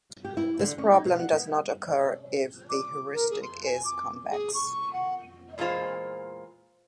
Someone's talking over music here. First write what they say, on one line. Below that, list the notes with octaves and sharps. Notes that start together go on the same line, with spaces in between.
This problem does not occur if the heuristic is convex.
G4
E4
D3
C#4
D#4
B2
F#5
B3
D6
A#4
G#4
C6
G#5
D6
G#4
C#6
F#5
E2 A#2 G#3 A#3 F4 C5